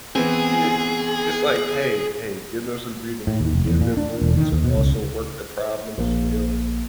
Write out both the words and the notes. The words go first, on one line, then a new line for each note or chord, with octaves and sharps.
you, y y it's like, "Hey hey" give them some breathing room, give them room to also work the problem as well,
E3 B3 C4 G#4
A2
D#2
F1
E2
A#2
D4
E1
D#3
D#2
B2
C#2
A#1 A#3